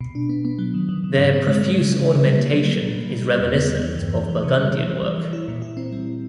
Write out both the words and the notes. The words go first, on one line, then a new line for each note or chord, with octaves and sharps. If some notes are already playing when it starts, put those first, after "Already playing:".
Their profuse ornamentation is reminiscent of Burgundian work.
B2
D4
B3
B3
F#3
D#3
D#3
D#3
G#2
C4
G#3
G#3
C#3
C#3
G3
G3
A#3
F#3
A#3
A#2
B2
G3
G3
E2
B3
B3
E3
G2
E3
E3
C3
G3
E3
E3
E3
E3
E4
A#2
E4
C4
G3